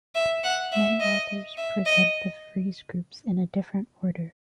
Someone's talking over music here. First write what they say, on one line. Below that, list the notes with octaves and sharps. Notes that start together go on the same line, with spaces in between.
Many authors present the frieze groups in a different order.
E5
F#5
E5
D#5
E5
D#5